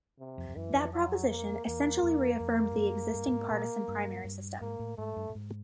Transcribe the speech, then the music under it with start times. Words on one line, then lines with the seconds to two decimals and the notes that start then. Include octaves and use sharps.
That proposition essentially re-affirmed the existing partisan primary system.
0.19 C3
0.38 F2
0.49 F2
0.56 F#2 E3
0.74 F2
0.93 F#3
1.29 A#3
1.66 E2 A#3
2.03 F2
2.40 F2
2.71 G2
2.77 F#2
3.14 G2
3.27 G2
3.32 G#2
3.51 A#2
3.88 G2
4.24 G2
4.60 G#2 A#3
4.79 A2
4.98 G#2 A3
5.17 G2
5.30 A2
5.35 G#2